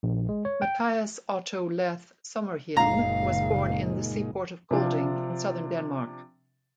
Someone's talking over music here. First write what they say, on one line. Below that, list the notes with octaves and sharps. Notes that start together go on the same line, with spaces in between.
Mathias Otto Leth Sommerhielm was born in the seaport of Kolding in southern Denmark.
A#1
G#3
C#5
G5
F#1 A#2 C#3 G#3 D#4 F5 A#5
C3 F3 D4 F4